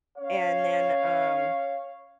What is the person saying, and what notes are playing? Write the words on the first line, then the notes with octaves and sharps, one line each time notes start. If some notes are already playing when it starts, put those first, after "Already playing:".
and then, um,
C#4 C#5 F5